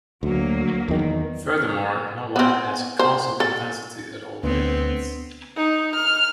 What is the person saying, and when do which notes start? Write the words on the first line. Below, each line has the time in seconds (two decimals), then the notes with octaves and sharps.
Furthermore, no lamp has a constant intensity at all wavelengths.
0.23 D2 F#3 A#3
0.88 E2 D#3
2.36 B3 C4
2.99 C5
3.40 A4
4.43 D2 B3 C4 D4 B4 C6
5.56 D#4
5.95 F6